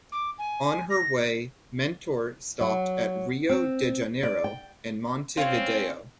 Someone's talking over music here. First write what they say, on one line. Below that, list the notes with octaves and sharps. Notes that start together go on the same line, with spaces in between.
On her way "Mentor" stopped at Rio de Janeiro and Montevideo.
D6
G#5
A#6
F#3
C4
D5
G5
C4 C#4 F4